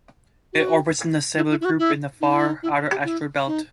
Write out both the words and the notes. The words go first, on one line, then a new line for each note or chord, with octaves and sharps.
It orbits in the Cybele group in the far outer asteroid belt.
F#4
E4
E4
E4
F#4
E4
D#4
E4
D#4
E4
G4
E4
D#4